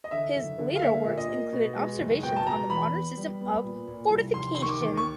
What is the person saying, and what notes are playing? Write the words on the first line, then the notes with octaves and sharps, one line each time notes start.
His later works included "Observations on the Modern System of Fortification".
D#5
D3 E5
F#1
D3
F5
A#3 E5
A#2
D#5
A#3
B2
G#3
F#1
B2 G5
A5
B2 A#5
E2 B5
B3
G3
B3
A#2
A#2
C2
F1 C6
C6
D#3 C#6
D6
D#2
C#6